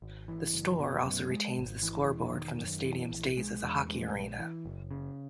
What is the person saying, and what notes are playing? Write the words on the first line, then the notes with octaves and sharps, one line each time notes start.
The store also retains the scoreboard from the stadium's days as a hockey arena.
G#1
E3
F#1
B2
F#2
G#3
G#1
E3
E1
D#3
F#2
E3
A#1
G#3
E2
G#3
A#1
E3
F#1
C#3